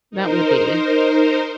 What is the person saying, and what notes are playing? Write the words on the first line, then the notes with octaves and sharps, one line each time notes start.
That would be.
D#4 A#4 C5